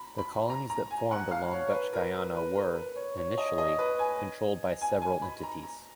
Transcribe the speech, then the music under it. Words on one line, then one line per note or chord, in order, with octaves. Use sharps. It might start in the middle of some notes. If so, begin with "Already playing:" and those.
The colonies that formed along Dutch Guiana were, initially, controlled by several entities.
Already playing: A#5 B5
B5
A#5
A#5
G#5
F#5
F5
C#5
B4
A#4
B4
B4
A#4
B4
C#5
C#5
D#5
D#5
B4
G#5
G#5
G#5
B5
A#5
A#5